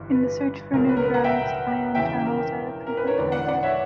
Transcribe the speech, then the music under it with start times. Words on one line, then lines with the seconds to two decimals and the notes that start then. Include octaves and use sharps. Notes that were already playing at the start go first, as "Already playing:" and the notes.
In the search for new drugs, ion channels are a frequent target.
Already playing: G1 G2 E3
0.12 B4
0.73 C#2 B2 F#3 C#4 A#4
0.89 B4
0.97 A#4
1.03 B4
1.14 F#5 A#5
1.24 E5 G5
1.95 E1 E2 C#3 E3 E5 G5
2.26 A#4
2.87 A#4
2.97 B4
3.07 A#4 C#5
3.17 E1 E2 D3 B4 D5
3.32 D5 F#5
3.48 D5 F#5
3.63 C#5 E5